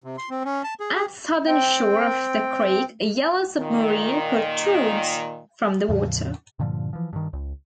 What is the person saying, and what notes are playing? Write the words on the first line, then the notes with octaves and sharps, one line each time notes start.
At southern shore of the creek, a yellow submarine protrudes from the water.
C3
C6
C4
C#4
A5
G#4
G#4
C4 G5
A#2 D#3
E2 A2 C#3 F3
G2 A#2 D3 F3
E3 F3
G2 D#3
C#2